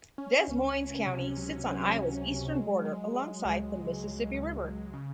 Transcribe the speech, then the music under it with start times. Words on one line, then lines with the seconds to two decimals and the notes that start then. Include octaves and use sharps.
Des Moines County sits on Iowa's eastern border alongside the Mississippi River.
0.18 C#4
0.48 C#2
0.78 C#2
1.07 C3
1.37 F#3
1.66 F#3
1.97 C3
2.26 F#3
2.55 G#3
2.85 G#3
3.15 G#3
3.45 C#2
3.75 G#3
4.04 G#3
4.33 C#2
4.64 C#2
4.93 C#3